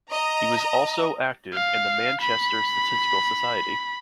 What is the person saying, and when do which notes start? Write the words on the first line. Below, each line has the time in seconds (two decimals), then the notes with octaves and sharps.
He was also active in the Manchester Statistical Society.
0.11 D#5 A#5
1.54 F5
2.21 B5